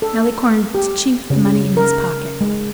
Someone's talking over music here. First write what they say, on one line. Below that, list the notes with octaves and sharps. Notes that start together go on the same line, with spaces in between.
Malicorne chinked the money in his pocket.
A4
G4
C#3
A#4
G#3